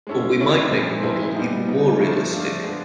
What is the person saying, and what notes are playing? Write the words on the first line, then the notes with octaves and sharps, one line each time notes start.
Or we might make the model even more realistic.
G#3 C#4 E4 A4
G#3 C#4 E4 A4
A#2 F3 G#3 C4 E4
A#2 F3 G#3 C4 E4
G3 B3 D#4
G3 B3 D#4
F3 A3 D4 F4
F3 A3 D4 F4
G#3 B3 D4